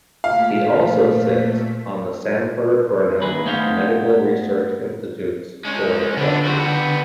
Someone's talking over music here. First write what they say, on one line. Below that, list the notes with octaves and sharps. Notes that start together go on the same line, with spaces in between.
He also sits on the Sanford-Burnham Medical Research Institute's Board of Trustees.
A#2 A3 F5 B6
D#2 D#3 G#4 B4
A3 B3 C#4 D#4 C5 F5
G#3 C#4
D3 B3 D4
C4 F#4
B3 G4